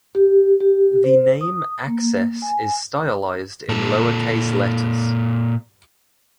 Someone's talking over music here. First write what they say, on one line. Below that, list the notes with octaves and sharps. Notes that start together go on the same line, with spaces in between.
The name "access" is stylized in lowercase letters.
G4
G4
C5
D#6
A#3
G#5
A#2 A4